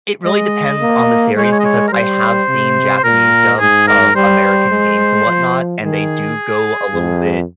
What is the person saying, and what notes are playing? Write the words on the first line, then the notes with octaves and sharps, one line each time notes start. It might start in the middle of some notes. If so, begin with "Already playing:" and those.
It really depends on the series because I have seen Japanese dubs of American games and whatnot, and they do go a little bit-
G#3 D#5
A#3
G#3 C#5
C5
C#5
D#5
C#5
A#4
G3 C5
C3
C5
A#2 A#4
G#2 G#4
A#4
G3 C5
G#3
F3
D#3 G#4
F2